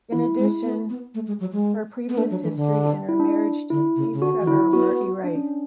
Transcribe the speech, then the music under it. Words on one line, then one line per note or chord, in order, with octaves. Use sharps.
In addition, her previous history and her marriage to Steve Trevor were erased.
E3 E4
G#3
B3
B3
A3
G#3
F#3
G#3
B3
A3 D4
F#3
E3
D3
E4
D4
D3 E4
C#3
C#3
D3 F#4
E3
D3 E4
B3 F#4
D4
C#4